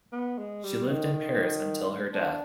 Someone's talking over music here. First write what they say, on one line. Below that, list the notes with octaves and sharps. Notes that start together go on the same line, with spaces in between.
She lived in Paris until her death.
B3
G#3
G3
D#3
D#3
D4